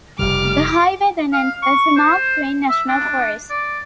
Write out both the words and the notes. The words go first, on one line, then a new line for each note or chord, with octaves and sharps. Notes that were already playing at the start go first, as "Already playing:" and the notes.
The highway then enters the Mark Twain National Forest.
F1 C#3 G3 D6 F6
F5
C#6
C5
E5
D4
D5